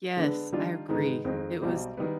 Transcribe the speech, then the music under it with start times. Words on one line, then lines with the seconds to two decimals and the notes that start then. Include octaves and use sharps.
Yes, I agree. It was m
0.17 D3 G#3 B3 D4
0.53 D#3 G3 D4 F4
0.88 G#2 D#3 G#3 B3 D#4
1.25 F2 D#3 G#3 C4
1.61 B1 B2 G3 C4
1.97 D#3 G3 B3